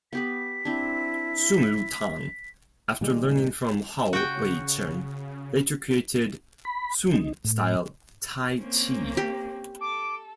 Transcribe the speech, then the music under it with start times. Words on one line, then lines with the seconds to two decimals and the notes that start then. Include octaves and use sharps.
Sun Lutang after learning from Hao Wei-zhen later created Sun style Tai Chi.
0.13 B3 G4 B4 B6
0.65 C4 D4 E4
3.01 A#2 D#3 G3 G#3
4.13 C#3 F#4 G5
6.65 B5
7.14 D#4
7.45 A2
8.57 A#3 C4 C#4
9.17 G4
9.81 A4 D6